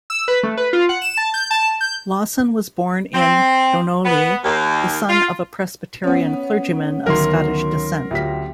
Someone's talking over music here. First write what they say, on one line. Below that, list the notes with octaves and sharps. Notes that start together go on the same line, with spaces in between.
Lawson was born in Dunolly, the son of a Presbyterian clergyman of Scottish descent.
E6
B4
A3
B4
F4
F#5
E7
A5
G6
A5
G6
C4
B3
D#2
F4
B3 C#4
D2 D#3 F#3 A#4 C6
D2 F4 G4 B6